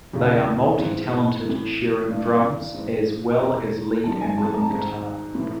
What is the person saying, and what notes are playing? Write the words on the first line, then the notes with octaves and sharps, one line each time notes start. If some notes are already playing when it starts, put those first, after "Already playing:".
They are multi-talented, sharing drums as well as lead and rhythm guitar.
E2 C#3 E3
G#2 E3
A2 E3
G2 E3
G#2 E3
E2 B2 A#5
F#2 D#3 A5
G#5
A5
A#5
A5
G#2 D#3 A#5
A2 E3